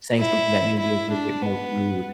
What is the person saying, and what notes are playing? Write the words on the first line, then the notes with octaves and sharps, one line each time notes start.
saying something that may be a little bit more rude
E4
E4
D4
B3